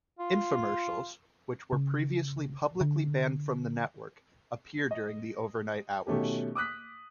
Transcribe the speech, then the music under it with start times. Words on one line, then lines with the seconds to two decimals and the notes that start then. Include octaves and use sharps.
Infomercials, which were previously publicly banned from the network, appear during the overnight hours.
0.19 F4
1.73 C#3
2.81 D3
4.91 D#5
6.07 B2 D#3 A3 C#4 G4
6.55 D6 D#6 F#6 B6